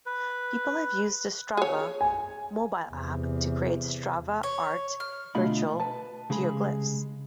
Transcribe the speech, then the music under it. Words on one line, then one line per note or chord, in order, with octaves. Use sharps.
People have used the Strava mobile app to create Strava art, virtual geoglyphs.
B4
G#4 C#5
G#5
E2 C3
C#5
F6
B2 D3 A3 F4 D#5 B5
B4 A5
C2 C#3 G#3 G#4 B5